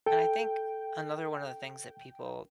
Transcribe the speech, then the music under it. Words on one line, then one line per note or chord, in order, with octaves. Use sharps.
And I think another one of the things that people
A4 G5